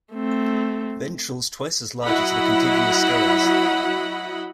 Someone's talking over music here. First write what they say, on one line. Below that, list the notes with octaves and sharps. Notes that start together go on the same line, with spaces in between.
Ventrals twice as large as the contiguous scales.
A3 C4
F#3 E4 D#5 F#5 B5